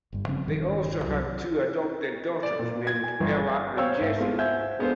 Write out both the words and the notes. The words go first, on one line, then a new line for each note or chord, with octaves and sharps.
They also had two adopted daughters named Ella and Jessie.
G1 G2
C#3 F3 C4 C#4
E1 G2 D#3
C2 F#3
D5
A#2
G#6
G#5
G1
G#4
C5 C#5 F5 G5 C#6 E6
G#1 E5
G#3 A3 B3 C4 E4 F4
C5 E5 F#5 G#5 G6 G#6
G#3 B3 D4 A4 C5 F5